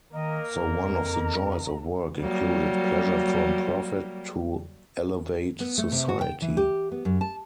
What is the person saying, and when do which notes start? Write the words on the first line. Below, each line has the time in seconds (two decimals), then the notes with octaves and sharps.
So one of the joys of work included "pleasure from profit" to elevate society.
0.13 D#3 A#3 A#4 D#5
0.56 F2 A#5
2.20 F#3 G3 A#3
5.60 B3
5.78 A3
5.92 C3
6.09 F#4
6.21 G5
6.42 E3
6.57 G4
6.92 B3
7.05 F#2
7.21 A5